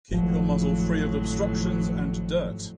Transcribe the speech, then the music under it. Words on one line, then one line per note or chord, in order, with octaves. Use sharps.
Keep your muzzle free of obstructions and dirt.
G#1 F2 A2 F3 F#3